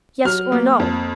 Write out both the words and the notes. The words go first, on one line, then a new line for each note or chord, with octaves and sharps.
Yes or No?'
F#3 F6
A#3
F2